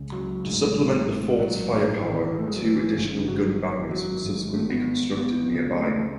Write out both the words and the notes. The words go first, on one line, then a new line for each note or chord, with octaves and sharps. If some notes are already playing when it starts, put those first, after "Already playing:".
To supplement the fort's firepower, two additional gun batteries were subsequently constructed nearby.
Already playing: C#2 C#3
F#3
A1 G#2
F#3
A1 A2
E3
D#3
E3
A3
G#3
F#3
E3
G#1 F#2 C#3
F#3
F#3
G#1 G#2
A3
B3
B3
C#2 C#3
B3
A3